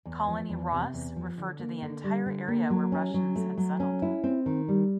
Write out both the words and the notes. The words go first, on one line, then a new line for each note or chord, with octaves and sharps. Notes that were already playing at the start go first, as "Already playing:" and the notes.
Colony Ross referred to the entire area where Russians had settled.
E2
F3
E2
C3
E2
F3
D3
A#3
D3
G3
D3
A#3
F#3
C#4
F#3
A3
F#3
C#4
E4
C4
D#3
G3